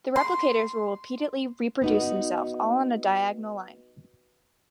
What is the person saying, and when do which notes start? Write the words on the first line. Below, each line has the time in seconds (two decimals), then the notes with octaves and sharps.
The replicators will repeatedly reproduce themselves, all on a diagonal line.
0.16 C6
1.82 B3 D#4 F#4